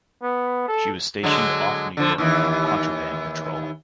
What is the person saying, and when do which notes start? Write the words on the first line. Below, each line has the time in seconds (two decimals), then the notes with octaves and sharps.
She was stationed off New York on contraband patrol.
0.23 B3
0.68 A4
1.23 D3 F#3 G#3
1.97 D3 F3
2.18 D#2 E3